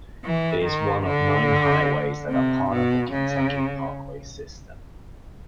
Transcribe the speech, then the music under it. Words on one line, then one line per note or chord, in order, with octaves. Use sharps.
It is one of nine highways that are part of the Kentucky parkway system.
E3
D#3
D3
C3
B2
C#3